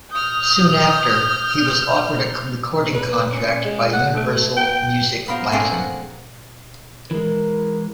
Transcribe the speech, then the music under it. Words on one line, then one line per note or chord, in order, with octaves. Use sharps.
Soon after, he was offered a recording contract by Universal Music Latin.
D#6 F6 G6
B4
C#4
G#3
F#5
A3
G5
B3 F4 A#4 C5
A3 A#3 C4 D4 G#4 A#4
F#5
E3 G#3 A#4